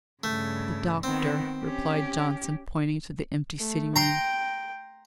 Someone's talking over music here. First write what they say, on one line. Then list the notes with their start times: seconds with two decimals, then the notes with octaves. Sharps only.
"The Doctor!" replied Johnson, pointing to the empty sitting-room.
0.24 G2 C#3 A3
1.03 D#3 B3 C4
1.64 C#4 G4
3.60 A3
3.96 G5 A#5 C6